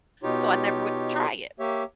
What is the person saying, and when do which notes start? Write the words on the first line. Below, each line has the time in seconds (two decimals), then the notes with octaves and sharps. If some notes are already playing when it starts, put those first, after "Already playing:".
so I never would, eh, try it.
0.23 B2 D#4 F4 G4 C#5
1.60 A#3 G4 C#5 E5